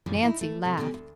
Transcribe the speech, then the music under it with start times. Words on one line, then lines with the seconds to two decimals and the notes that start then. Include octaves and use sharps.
Nancy laughed.
0.06 F#2 A#2 E3 F3 G3
0.23 D#4 E4
0.41 A3
0.65 C3
0.77 B2 D3 G3 C#4 G4
0.94 D2